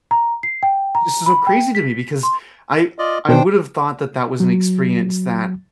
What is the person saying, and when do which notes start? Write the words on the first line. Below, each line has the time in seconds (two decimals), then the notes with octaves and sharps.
this is so crazy to me because I I would have thought that that was an experience that,
0.11 A#5
0.43 C7
0.63 G5
0.95 A#5
1.26 B5
1.47 G5
1.75 B6
2.23 C6
2.99 F4 D5 D#5
3.29 B2 D#3 D4 C5 G5
4.40 F#3